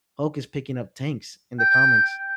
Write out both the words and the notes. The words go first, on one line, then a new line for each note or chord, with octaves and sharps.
Hulk is picking up tanks in the comics,
G5